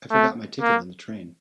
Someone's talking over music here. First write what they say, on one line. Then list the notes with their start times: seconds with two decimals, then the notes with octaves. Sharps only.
I forgot my ticket on the train.
0.12 A3
0.61 A#3